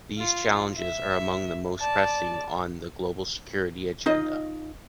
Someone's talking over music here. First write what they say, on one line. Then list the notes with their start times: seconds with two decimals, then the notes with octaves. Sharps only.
These challenges are among the most pressing on the global security agenda.
0.18 F4
0.78 E5
1.80 D5 A5
4.06 D#4 F4 D#5